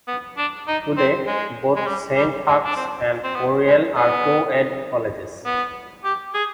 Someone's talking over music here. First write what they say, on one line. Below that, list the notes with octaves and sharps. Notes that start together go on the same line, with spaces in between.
Today both Saint Hugh's and Oriel are co-ed colleges.
B3
D4
D#4
C4
G#3
G#3
G3
G3
G#3
D4
C4
C4
B3
G#3
B3
B3
G4
G#4